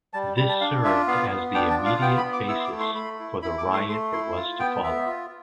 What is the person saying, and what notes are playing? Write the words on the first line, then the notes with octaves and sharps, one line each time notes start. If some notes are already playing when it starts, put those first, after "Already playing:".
This served as the immediate basis for the riot that was to follow.
G3 A5
G3 B5
A5
D4 F5
F4 E5
B3 F5
B3
D4 G5
A5
F4
F5
B3 G5
B5
B3
D6
E4 E6
C6
D6
A3
C6
A3 B5
E4
E4 B5
D6
A3
C6
A3 C6
E4 C6
F4
B3 G5
B3 E5
F4